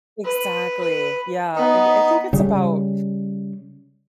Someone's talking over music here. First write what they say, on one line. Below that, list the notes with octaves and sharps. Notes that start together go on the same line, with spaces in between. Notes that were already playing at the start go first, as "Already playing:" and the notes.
Exactly, yeah, I I think it's about
B4
B4
B3 D#4
C#3 G3